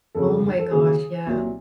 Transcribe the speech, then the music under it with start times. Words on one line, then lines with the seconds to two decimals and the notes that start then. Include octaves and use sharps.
Oh my gosh, yeah.
0.15 F2 C#3 F#3 A4
0.59 A4
0.71 D#2 C#3 F#3 G#4
1.26 C2 A#2 F#3